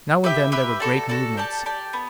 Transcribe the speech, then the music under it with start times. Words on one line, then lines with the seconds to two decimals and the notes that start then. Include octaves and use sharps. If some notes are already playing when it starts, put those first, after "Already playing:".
Now and then there were great movements.
0.24 G4 B4 E5 G5
0.52 G4 B4 E5 G5
0.80 F#4 A4 D5
1.09 F#4 A4 D5
1.37 G4 D5 A5
1.66 G4 D5 A5
1.93 B3